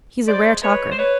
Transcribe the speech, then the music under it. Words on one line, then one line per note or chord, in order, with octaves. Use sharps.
He's a rare talker.
G#3 C5 D5
G#3 B4 C#5
C5
B4 C#5